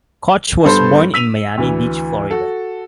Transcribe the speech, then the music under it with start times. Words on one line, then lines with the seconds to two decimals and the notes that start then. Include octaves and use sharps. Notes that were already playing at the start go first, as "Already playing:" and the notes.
Kohn was born in Miami Beach, Florida.
0.64 G2 B3 A4 C5 C6
1.14 E6 B6 D#7 F7
1.57 D2 E3
2.31 F#4 A4